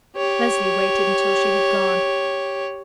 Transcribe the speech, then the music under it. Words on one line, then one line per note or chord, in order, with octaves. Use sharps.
Leslie waited until she had gone.
G4 C#5